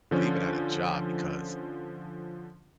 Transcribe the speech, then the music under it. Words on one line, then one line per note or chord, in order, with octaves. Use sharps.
but even at a job, because
D3 F3 C#4